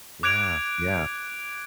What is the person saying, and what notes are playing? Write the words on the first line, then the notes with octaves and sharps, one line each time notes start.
yeah, yeah.
D6 F#6 G#6 D7 F7